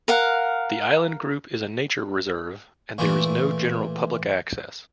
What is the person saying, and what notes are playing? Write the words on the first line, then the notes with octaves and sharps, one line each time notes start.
The island group is a nature reserve and there is no general public access.
A#4 F5 F#5
A#2 E3 A3